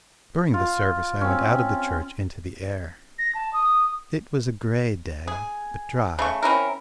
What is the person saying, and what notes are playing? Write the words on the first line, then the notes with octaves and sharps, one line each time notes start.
During the service I went out of the church into the air: it was a grey day, but dry.
F4
C4 C#4
A#6
A5
D#6
G#4
C#3 A3 C#6
C4 C#4 E4 A#4